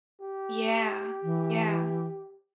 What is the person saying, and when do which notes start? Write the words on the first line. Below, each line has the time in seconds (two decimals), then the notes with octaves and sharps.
Yeah, yeah.
0.21 G4
1.23 E3